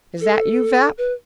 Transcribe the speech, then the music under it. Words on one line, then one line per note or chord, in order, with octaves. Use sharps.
"Is that you, Vapp?"
A4
B4